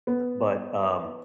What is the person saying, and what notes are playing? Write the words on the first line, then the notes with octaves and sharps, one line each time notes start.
But, um,
B3